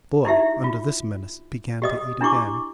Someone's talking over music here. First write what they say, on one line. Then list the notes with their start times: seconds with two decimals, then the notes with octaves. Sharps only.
The boy, under this menace, began to eat again.
0.25 D#4 E4 G4 E5
0.64 F4
1.82 G4 D#5 D#6
2.21 D4 E4 G4 C#6 D6